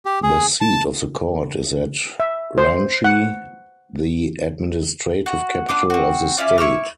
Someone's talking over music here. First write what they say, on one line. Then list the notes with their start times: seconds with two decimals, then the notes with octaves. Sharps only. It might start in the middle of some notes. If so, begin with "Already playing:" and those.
The seat of the court is at Ranchi, the administrative capital of the state.
0.05 G4
0.23 G#4
0.61 A5
2.20 E5
2.58 C5
3.04 F#5
5.26 F#4
5.69 B3 D4 F4 D6
5.90 C4 F#4
6.37 C#4 E4 F4 D5
6.58 E4 C#6 E6 F6